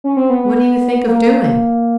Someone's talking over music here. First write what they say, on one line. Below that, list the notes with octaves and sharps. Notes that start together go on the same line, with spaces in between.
'What do you think of doing?'
C#4
C4
B3
B3
A#3